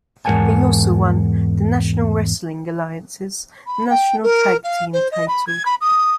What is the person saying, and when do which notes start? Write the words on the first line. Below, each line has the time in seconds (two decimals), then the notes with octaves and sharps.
They also won the National Wrestling Alliance's National Tag Team title.
0.25 E2 G#2 A#4 F#5 G#5 A5
3.66 B5
3.90 G5
4.23 A#4
4.63 F5
4.93 C5
5.11 D#5
5.28 B5
5.47 G#6
5.65 B5
5.81 D#6